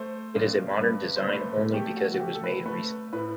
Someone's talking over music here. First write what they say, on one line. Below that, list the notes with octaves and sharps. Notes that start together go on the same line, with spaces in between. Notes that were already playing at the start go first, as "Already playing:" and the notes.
It is a modern design only because it was made recently.
Already playing: A3 C5
G2
G2 B4
C5
A3 B4
A3 G4
F#4
F#4
A3 G4
A4
B4
A3 B4
A2 B4